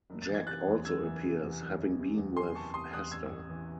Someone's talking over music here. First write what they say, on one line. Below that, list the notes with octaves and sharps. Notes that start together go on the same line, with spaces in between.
Jack also appears, having been with Hester.
F#1
A6
E3
G#6
C3 F#6 A6
E2
F#1 E6 G#6
E3
C3
E2
F#1
E3
C3
E2
F#1 G#5 C6
E3 A5 C#6
C3 C6 D#6
E2 D#6 F#6
A1 E6 G#6
A1
E3